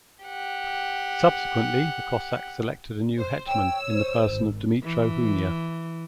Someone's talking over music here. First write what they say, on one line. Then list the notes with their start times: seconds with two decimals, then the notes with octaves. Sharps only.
Subsequently the Cossacks elected a new Hetman in the person of Dmytro Hunia.
0.24 G4 F#5
3.17 C5
3.47 C#5 G5 E6
3.93 C5
4.28 G#1
4.83 E3